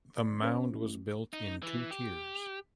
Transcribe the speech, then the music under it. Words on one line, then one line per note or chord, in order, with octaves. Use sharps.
The mound was built in two tiers.
D5
C#4 B4 C5
A1 E3
D#4
E3
G4